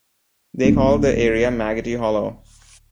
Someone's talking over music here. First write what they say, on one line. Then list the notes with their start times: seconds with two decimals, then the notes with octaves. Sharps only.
They called the area Maggotty Hollow.
0.64 D1 A3 B3 D4